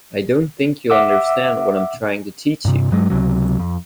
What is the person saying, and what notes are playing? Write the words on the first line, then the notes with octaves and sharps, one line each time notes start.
I don't think you understand what I'm trying to teach you.
E5 F#5 D6 E6
G2 C3
G2 F#3 G#3
C#2 C3 F#3
F2